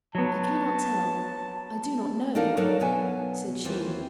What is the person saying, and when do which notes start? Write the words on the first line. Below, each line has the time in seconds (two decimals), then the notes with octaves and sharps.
"I cannot tell; I do not know," said she.
0.15 F#3 B3 A5
2.35 D4 D#4 A4 A#4 D#5 F5
2.57 F#3 D4 D#4 A4 A#4
2.80 B2 F#3 B3 E5 G#5
3.65 D#2 E3 C4 F4 B4